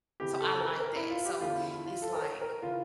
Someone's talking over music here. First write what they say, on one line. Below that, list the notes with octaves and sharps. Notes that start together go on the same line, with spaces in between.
so I like that. So it's like
F2 C#3 E3 G4
A4
A#4
A#4
E4
F4
G4
E2 D3 F3 F4
E4
E4
F4
A4
A#4
C#5
A#4
C#3 E3 F4